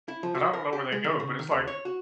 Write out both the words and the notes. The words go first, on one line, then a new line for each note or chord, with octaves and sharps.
and I don't know where they go, but it's like
E4
F3
F#4
A#4
G4
G#3
D#3
C#3
D#3
D2
C#5
F#4